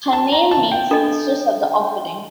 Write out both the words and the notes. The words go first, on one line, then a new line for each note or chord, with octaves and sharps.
Her name means "mistress of the offering".
A5
A#5
A5
G5
D4 A4 D#5